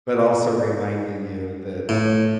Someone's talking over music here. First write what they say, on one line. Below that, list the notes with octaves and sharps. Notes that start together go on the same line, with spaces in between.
but also reminding you that
A2